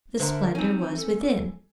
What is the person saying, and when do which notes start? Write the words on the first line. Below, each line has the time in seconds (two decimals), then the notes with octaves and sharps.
The splendor was within.
0.20 D3 A#4 C5 E5 A#5
0.55 C4 C#4 D#4 G#5
0.95 A4